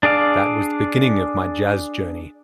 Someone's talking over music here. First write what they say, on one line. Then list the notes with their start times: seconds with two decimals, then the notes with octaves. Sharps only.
That was the beginning of my jazz journey.
0.03 D4 G#4 D5 F5